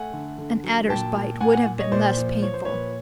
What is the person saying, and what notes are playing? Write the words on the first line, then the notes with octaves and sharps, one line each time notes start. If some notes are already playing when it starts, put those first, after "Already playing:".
An adder's bite would have been less painful.
Already playing: A3 F#5 G#5
D3
D3
F#3
A#2 G5 A5
A#2
A#2 F#5 G#5
F#5 G#5
A#2
C#5 D#5
A#2 C5 D5
F3
F3 C#5
C5
A#2 B4 C#5